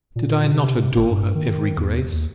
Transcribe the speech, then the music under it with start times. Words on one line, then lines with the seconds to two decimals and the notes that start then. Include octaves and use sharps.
Did I not adore her every grace?
0.16 A#2
0.53 C3
0.96 G1
1.10 G2
1.35 D#3
1.78 E2
2.13 D#2